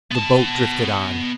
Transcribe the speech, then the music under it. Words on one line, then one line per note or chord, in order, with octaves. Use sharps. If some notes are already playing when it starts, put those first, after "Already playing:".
The boat drifted on.
B3 A5